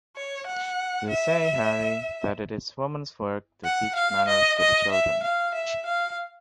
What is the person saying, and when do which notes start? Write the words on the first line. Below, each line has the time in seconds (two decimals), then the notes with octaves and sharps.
You say, Harry, that it is women's work to teach manners to the children.
0.16 C#5
0.46 F#5
1.10 E5
3.64 F#5
3.95 F5
4.28 D#5
4.59 D#5
4.91 E5
5.23 F5
5.54 E5
5.86 F5